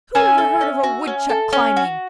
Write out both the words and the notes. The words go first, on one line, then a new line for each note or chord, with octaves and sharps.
"Who ever heard of a Woodchuck climbing?"
C#4 E5 G#5
A4
C#4
F#4
C#4
A4
C#4
F#4